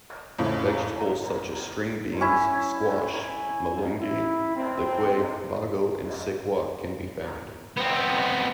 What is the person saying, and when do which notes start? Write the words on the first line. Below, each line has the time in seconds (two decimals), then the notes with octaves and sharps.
Vegetables such as string beans, squash, malunggay, likway, bago and sikwa can be found.
0.38 F2 A2 C#3
2.21 C#4 E4
4.00 E4
4.56 C4
7.77 B3 C4